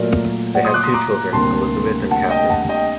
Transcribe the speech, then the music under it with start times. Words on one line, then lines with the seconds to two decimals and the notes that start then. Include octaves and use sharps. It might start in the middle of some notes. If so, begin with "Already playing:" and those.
They have two children, Elizabeth and Catherine.
Already playing: A#2 F#3 A3 A#4 D5
0.55 D5 F#5
0.65 C6 D#6
0.74 D6 F#6
0.84 C6 D#6
0.94 A#5 D6
1.33 D2 C3 G3 A#3 A5 C6
2.11 F#5 A5
2.30 D#5 G5
2.49 F#5 A5
2.69 D#5 G5